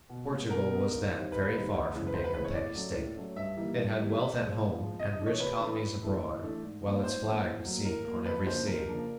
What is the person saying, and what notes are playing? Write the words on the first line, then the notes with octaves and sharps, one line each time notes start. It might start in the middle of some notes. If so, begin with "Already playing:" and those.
Portugal was then very far from being a petty state. It had wealth at home and rich colonies abroad, while its flag was seen on every sea.
B2
G#3 B3
B2 A#4
G#3 B3
D#2
D#3 G3 C4 D#4
D#2 B4
D#3 G3 C4 D#4
D2
C#3 E3 G#3 C4
B4
D2 C5
B4
C#3 E3 G#3 C4 B4
C#5
A2 D5
F#3 A3 C#4
A2
F#3 A3 C#4
G2 E5
E3 G3 A#3 D#4
G2
E3 G3 A#3 D#4
A#2
F3 G#3 C4
A#2
F3 G#3 C4
C3 D#5
D#5
E3 A3 D4
C#5
C3 B4
E3 A3 D4
A2
E3 A3 D4
A2
E3 A3 D4
G#2
F3 A#3 C#4
G#2 C5
F3 A#3 C#4
A2
F#3 A#3
A2 A#4
F#3 A#3
F2 B4
C#3 F3 A#3 D4 C5
F2 A#4
C#3 F3 A#3 D4